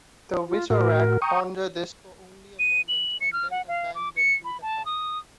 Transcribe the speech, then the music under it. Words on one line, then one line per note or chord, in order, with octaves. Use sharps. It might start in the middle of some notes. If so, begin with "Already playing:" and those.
The Visorak ponder this for only a moment and then abandon Roodaka.
F4
A2 F#4 A#4
G5 A#5 C#6 D#6
D#7
F#7
C#7
F6
F#5
F5
D6
C#7
B5
A5
D#6